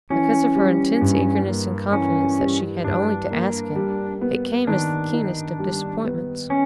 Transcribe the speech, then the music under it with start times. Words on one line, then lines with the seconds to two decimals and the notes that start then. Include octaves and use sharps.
Because of her intense eagerness and confidence that she had only to ask him, it came as the keenest of disappointments.
0.10 E3 C#4
0.55 G3
1.01 G2
1.47 A#3
1.93 E3 C#4
2.39 G3
2.84 G2 D4
3.30 A#3
3.76 G3
4.21 B3
4.67 D#3 D4
5.13 D#4
5.59 G3
6.04 B3
6.50 C#4